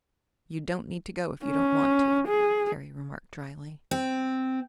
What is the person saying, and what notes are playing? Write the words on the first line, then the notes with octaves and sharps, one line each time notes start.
"You don't need to go if you don't want to," Terry remarked drily.
C#4
G#4
C4